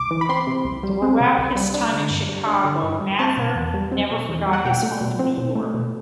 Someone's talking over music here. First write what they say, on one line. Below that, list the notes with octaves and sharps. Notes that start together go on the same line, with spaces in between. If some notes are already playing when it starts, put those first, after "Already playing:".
Throughout his time in Chicago, Mather never forgot his home in New York.
Already playing: C2 D6
E3
B5
C4 C6
C3
C2
G3
C4
C3
C2
G3
D4
D3
G2
G3
D4
D3
G2
G3
C4 A5
B2
E2
G3
C4
B2
E2
G3
F#5
B2 G5
A3
B2
C4
B2
A3
B2